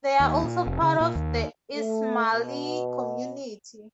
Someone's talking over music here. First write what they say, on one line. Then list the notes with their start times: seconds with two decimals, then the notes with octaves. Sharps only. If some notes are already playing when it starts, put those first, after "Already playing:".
They are also part of the Ismaili community.
0.20 D#2
0.43 A#2
0.67 F1
0.82 C#3
1.00 A#2
1.15 D#2
1.76 A3
2.33 B2